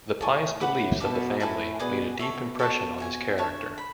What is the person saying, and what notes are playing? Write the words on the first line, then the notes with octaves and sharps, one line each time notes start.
The pious beliefs of the family made a deep impression on his character.
A2 A4 D5 G#5 C#6
A2 B4 F#5 B5 D6
B2 A4 E5 A5 D6
A2 E4 A4 E5 G#5
B2 G#4 B4 D5 G#5
B2 A4 C#5 E5
A4 C#5 E5 A5
C#5 E5 G#5
D3 C#5 E5 A5 C#6
B5